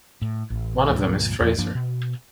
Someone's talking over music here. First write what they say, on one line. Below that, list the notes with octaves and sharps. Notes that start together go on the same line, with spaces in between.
One of them is Fraser.
A2
A1
C#2 G2 A#2 F3
E2 F3
G2 F3 A#3 D4
B2